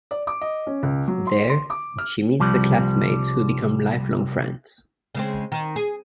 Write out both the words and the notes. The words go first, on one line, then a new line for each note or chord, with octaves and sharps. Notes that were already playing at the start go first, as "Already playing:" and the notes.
There, she meets the classmates who become lifelong friends.
D5
D6
D#5
C#4
C#2
F#3
C6
C6
D6
F6
C2 F3 G3
C#3 G#3 C4
D#3
G#4